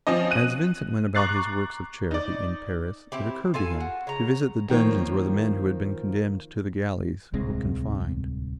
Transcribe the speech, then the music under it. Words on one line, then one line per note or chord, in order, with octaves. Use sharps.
As Vincent went about his works of charity in Paris it occurred to him to visit the dungeons where the men who had been condemned to the galleys were confined.
F3 C4 C#4 D#5
F#6 D#7
A#5 C#6 D6 F#6 A6 C7
D#4 D5
C4 E4 G4
F4 A4 F5 G#5
F#4
C#3 A#5
D#3 F3 A#3 C#5
D1 C2 G#3 C4